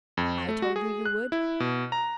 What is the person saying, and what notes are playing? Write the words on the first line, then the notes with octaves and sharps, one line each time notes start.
"I told you you would."
F2
A3
F#4
G#4
F#6
E4
B2
A#5